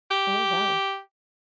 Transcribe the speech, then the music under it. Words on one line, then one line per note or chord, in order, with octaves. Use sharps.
Oh, wow.
G4